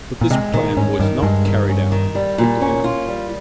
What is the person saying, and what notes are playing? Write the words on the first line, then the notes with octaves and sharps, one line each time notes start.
But this plan was not carried out quickly enough.
A#2
C3 G#3
A#2 D#3
G#2 C#4
G2 D#3
G2 G#3
D#3
C#4
D#3
G3
A#2
C#4
F4
G3